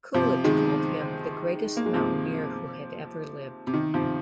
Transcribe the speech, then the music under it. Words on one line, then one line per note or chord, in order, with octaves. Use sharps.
Coolidge called him "the greatest mountaineer who had ever lived".
C3 F3
D#3 G#3
A#3
G#3
C3 F3
C3
D#3
C3 F3